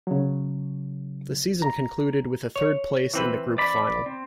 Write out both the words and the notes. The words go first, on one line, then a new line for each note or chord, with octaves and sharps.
The season concluded with a third place in the group final.
C#3 F#3
A#5
C#5
E3 C4 B4
D5 B5
C4